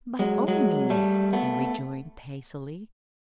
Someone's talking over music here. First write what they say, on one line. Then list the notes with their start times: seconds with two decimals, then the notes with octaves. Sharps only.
"By all means," he rejoined hastily.
0.19 F#3 G#3
0.48 F#3 G#3
0.90 G3 A3
1.33 A3 B3